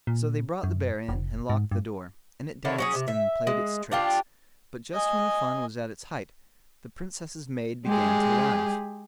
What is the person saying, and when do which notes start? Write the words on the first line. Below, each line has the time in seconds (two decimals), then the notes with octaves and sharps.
So they brought the bear in, and locked the door, and it danced and played its tricks; but just when the fun was at its height, the Princess's maid began to laugh.
0.07 A#2
0.63 F#2
1.09 F1
1.50 G#2
1.71 G2
2.65 D3 D#3 E4 C#5
2.78 F#3 C#4 G#4
2.95 C3
3.08 E5
3.47 G#3
3.92 D4 F4 G4
4.93 D#5 G#5
7.85 G#3 G4 G#4